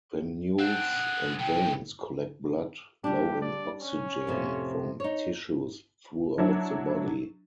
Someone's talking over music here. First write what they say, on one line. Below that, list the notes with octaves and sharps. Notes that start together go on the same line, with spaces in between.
Venules and veins collect blood low in oxygen from tissues throughout the body.
C4 D4 F#5
D3 G#4
G2 B2 G5
G3 D4 G4
D5
C#4
F2 A2 C3
D#4 C#5
F#3 D4 E4